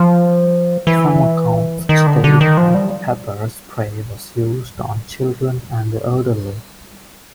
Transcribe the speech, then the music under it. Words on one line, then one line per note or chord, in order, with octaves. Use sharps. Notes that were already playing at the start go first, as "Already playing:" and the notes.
Some accounts state that pepper spray was used on children and the elderly.
Already playing: F3
E3
D#3
D3
D3
D#3
F3
G3